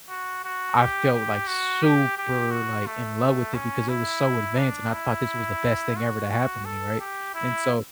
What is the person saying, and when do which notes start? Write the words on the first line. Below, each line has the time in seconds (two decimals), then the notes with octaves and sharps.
I felt, like, super, like, in love with it because it was so advanced and I thought this was the best thing ever to happen to me, right, and so,
0.09 F#4
0.45 F#4
0.79 G4
1.13 G4
1.47 F#4
1.83 G4
2.18 G4
2.51 F#4
2.87 A3
3.55 C#4
3.89 E4
4.58 D4
4.93 E4
5.97 F#4
6.31 F#4
6.65 A4
7.00 G4
7.34 E4